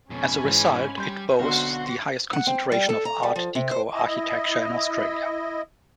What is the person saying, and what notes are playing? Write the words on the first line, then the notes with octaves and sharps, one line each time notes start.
As a result, it boasts the highest concentration of Art Deco architecture in Australia.
F2 B2 C#4 G#5 B5
G#2 E3
G3 C6 G6
B1 B2 D3 C4 F#4 F#5 C6
F#5
C4
G3
A4
A#5
G3
F3
C3
C5
E4 D#5